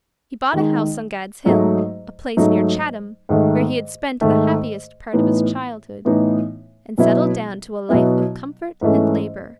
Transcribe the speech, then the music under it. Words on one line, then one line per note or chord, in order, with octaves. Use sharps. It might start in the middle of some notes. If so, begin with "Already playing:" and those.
He bought a house on Gad's Hill--a place near Chatham, where he had spent the happiest part of his childhood--and settled down to a life of comfort and labor.
D#3 G#3 D#4
G#2 F#3 A3 D#4
G#2 F#3 A3 D#4
G#2 D#3 A3
G#2 D#3 A3
A2 E3 B3 D#4
A2 E3 B3 D#4
B2 F#3 B3 E4
B2 F#3 B3 E4
G#2 E3 A3 C#4